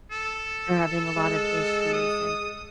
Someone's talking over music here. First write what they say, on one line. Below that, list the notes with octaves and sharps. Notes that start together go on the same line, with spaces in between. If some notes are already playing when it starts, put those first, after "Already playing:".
they're having a lot of issues. And
A4
G#3
D#6